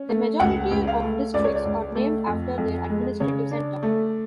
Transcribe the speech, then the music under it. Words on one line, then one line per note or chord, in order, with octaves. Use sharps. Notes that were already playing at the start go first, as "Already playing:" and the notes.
The majority of districts are named after their administrative centre.
Already playing: C#4
A3
C#2 F#5
C#2
F5
A3
C#2 D5
C#5
D5
C#2
A3
F2
F2
G#3
C#3 C#5
D4
A3